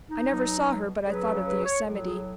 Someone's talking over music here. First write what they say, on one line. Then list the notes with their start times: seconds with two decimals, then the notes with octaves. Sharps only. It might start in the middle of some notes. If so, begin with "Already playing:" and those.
I never saw her but I thought of the Yosemite.
0.09 D#4
0.28 B2 F#3
1.06 C#3 F#3 B4
1.46 B4
1.65 C#5
1.84 A2 F#3
2.04 G#4